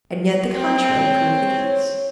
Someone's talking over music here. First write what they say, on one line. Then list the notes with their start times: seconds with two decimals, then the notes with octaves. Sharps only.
And yet the contrary proved the case.
0.53 C4
1.03 C#5